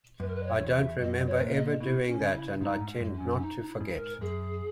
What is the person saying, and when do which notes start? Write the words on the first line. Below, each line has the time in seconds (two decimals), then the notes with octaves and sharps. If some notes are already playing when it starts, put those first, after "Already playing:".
I don't remember ever doing that and I tend not to forget.
0.19 F#2 B4
0.27 A#4
0.35 B4
0.42 D#5
0.46 C#5
0.59 E2
0.73 E5
0.99 F#2 D#5
1.26 C#5
1.35 B4
1.40 A#2 C#5
1.49 E5
1.54 D#5
1.80 B2 E4
2.06 C#4
2.21 C#3
2.33 E4
2.60 G#2 D#4
2.81 G#2
3.00 F#2
3.14 C#4
3.20 F#2
3.30 C#4
3.40 D#4
3.60 D#4
3.68 E4
3.80 G#2
3.94 A#4
4.21 F#2 G#4